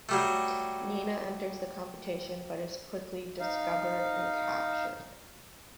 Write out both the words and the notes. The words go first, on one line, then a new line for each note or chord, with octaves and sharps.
Nina enters the competition, but is quickly discovered and captured.
F#3 G3 A3
D#4 F5